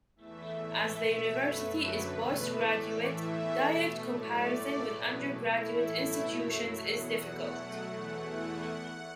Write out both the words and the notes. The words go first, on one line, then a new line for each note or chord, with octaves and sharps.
As the university is postgraduate, direct comparison with undergraduate institutions is difficult.
E2 E3 A3 E5
A2 E3 A3 E5
B2 A3
F#2 F#3 A3 B4
F#2 D3 F#3 A3 B4
E2 B2 A3 B4
A2 E3 A3 D5
A2 E3 A3 E5
E2 E3 A3
B2 A3
A2 F#3 A3 D5
A2 A3
E2 B2 F#3 B4
A2 A3 E4
A2 E3 A3
B2 F#3 A3
F#2 F#3 A3 E5
E2 B2 F#3 F#5
E2 E3 A3
B2 F#3 A3
E2 E3 A3 F#5
E2 E3 A3 F#5